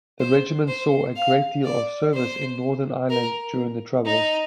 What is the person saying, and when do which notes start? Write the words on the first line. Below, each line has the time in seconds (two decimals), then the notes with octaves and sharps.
The regiment saw a great deal of service in Northern Ireland during the troubles.
0.20 C5
0.68 C5
1.16 F5
1.65 D5
2.13 C5
3.10 A#4
4.05 D#4